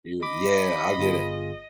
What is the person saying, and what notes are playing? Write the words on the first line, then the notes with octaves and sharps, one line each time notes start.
You yeah, I get it.
D#5 B5 D6
G1 F4 G#4